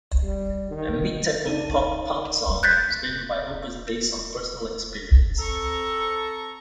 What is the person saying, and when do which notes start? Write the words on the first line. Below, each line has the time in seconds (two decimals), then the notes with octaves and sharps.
A mid-tempo pop punk song, it was written by Hoppus based on personal experience.
0.23 G3
0.70 D#3
1.45 C#3 D4 D#4 D#7
2.63 F#6 G6 A6 B6
5.38 C4 A4 A#5 C#6